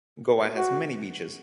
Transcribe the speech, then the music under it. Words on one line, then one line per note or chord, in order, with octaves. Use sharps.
Goa has many beaches.
F#4